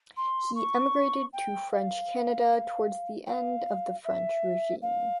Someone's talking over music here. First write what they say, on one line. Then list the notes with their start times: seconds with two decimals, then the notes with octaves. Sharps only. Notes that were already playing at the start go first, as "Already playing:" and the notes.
He emigrated to French Canada towards the end of the French Regime.
0.16 C6
0.55 C#6
1.33 G5
1.72 F5
3.26 G5
3.29 F5
4.04 E5
4.82 F5